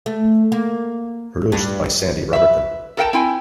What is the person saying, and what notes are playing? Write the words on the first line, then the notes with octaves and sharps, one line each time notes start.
Produced by Sandy Roberton.
A3
A#3
G2
B4 E5
A4 A#4 D#5 F#5 G5 A5
C4 E4 G5 G#5